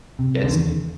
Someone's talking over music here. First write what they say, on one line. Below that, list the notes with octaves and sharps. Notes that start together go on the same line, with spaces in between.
Against you?
C3
D3
E2 D#3